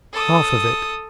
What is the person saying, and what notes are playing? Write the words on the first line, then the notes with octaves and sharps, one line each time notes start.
"Half of it."
A4 D#6